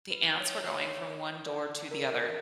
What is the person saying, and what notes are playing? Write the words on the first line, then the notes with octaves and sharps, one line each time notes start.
the ants were going from one door to the other.
B4
C#5
C#5
D5
A#4